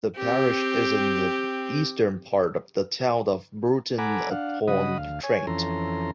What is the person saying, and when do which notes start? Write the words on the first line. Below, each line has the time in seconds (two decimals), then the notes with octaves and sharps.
The parish is in the eastern part of the town of Burton upon Trent.
0.17 C4 G4
3.98 A4 F#5 G#5 A#5 B5 D6
4.31 D4 F5 F#5
4.68 C#3 F#3 D#5 F#5 B5 D#6
4.98 D2 F5
5.23 C#5 G#5
5.47 F2 E3 C#4 A4 A#5 C6